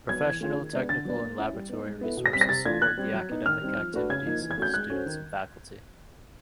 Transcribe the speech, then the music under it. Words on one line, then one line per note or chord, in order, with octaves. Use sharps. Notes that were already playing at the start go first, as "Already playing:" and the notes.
Professional, technical and laboratory resources support the academic activities of the students and faculty.
F#3 B3 G#6
E3
A3 C#4 F4 G#4
D#3
G#3 B3 D4
D3 A6
F#3 B3 D4
A#3
C#4 E4
G3
B3 D#4
G#3
B3 E4 A4
B2
A#6
G3 C4 B6
A#6
C3 A6
E3 A3 D4 F4 G#6
A#2 F#6
G3 C4
F#3
B3 D#4
D#3 F6
G3 C4 D#4
F3
A3 D4 F#4 B4
C#3 G#6
F3 A#3 D#4
E3
G#6
A3 C#4 F#4 G6
G#3 F#6
C#4 F#4 A4 C5
D#3